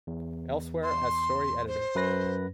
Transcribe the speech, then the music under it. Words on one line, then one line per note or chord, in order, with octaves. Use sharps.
Elsewhere as story editor.
E2
C6
C5
F#2 B4 A#6